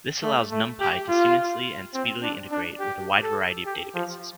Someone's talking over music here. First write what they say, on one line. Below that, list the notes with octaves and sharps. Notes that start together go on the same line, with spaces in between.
This allows NumPy to seamlessly and speedily integrate with a wide variety of databases.
A3
A3
G4
F4
C4
D4
D4
G4
A4
G4
F3